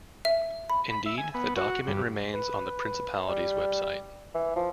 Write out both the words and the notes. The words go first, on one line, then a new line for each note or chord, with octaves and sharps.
Indeed, the document remains on the Principality's website.
E5
B5
B5
E5
G#5
B3
F#4
G2
B4
G3
E3
F3